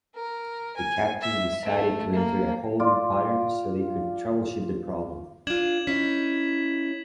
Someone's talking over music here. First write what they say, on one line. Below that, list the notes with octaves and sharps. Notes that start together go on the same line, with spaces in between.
The captain decided to enter a holding pattern so they could troubleshoot the problem.
A#4
G#5
E5
A3
A#3
F4 D5
D4 F4 G#6 E7 F#7
C#4 D#4 E4 B6